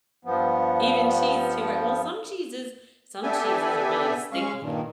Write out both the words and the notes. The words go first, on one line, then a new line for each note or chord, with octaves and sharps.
Even cheese too, right? Well, some cheese is some cheese is really stinky.
G2 F3 B3
B3 D4 G4 A4 E5 G#5
G#3 C#4 F5 C#6
G2 A#2 D#3